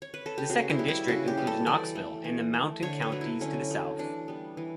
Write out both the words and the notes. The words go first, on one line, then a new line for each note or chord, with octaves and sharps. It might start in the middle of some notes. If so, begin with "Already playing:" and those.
The Second District includes Knoxville and the mountain counties to the south.
C#5
B4
A4
G4
C#3 F#4
E4
G3 B3
E4
C#3 F#4
G4
G3 B3
A4
E3 D5
A3
E3
A3
D3 C#5
B4
F#3 A3
E4
D3 C#4
F#3 A3
E3 D4
G3 B3
E3